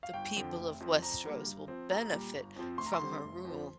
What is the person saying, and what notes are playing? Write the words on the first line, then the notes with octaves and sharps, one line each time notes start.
the people of Westeros will benefit from her rule.
F5
G1 G5
F2 D3 F3
F1
F2 F3 C4
F2 A#5
D3 G3 A#3
G2
F3 C4
A#1 A#5
A#2 G3
G1
F2 F3 C4
D2 C6
A#5
C6
D3 G3 C4
F1
F2 F3